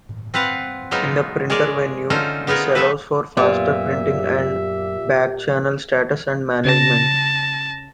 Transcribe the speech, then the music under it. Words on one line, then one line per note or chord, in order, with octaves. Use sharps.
In the printer venue, this allows for faster printing and back-channel status and management.
C4 F4 B4 F5 F#5
F#3 G#3 B3 D#4 F4
G#3 G#4 A#4 C#5 D5
D3 C#4 D#4 F4 A4 C5
B3 D#4 F4 G#4 A#4
F3 A3 A4 B4
F#2 A#2 B3 G4 E5
C#3 A5 A#6